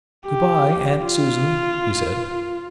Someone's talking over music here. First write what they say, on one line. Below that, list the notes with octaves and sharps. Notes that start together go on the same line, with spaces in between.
"Good-bye, Aunt Susan," he said.
G4
F4